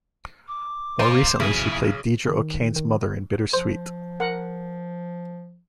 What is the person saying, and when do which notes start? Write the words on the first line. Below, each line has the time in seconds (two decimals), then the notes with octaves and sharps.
More recently, she played Deirdre O Kane's mother in "Bitter Sweet".
0.48 D6
0.99 F4 A#4 C5
1.40 B1 C#3 E4 G#4
2.28 D#3
2.76 D#3
3.53 F3 C5
4.20 A#4 F#5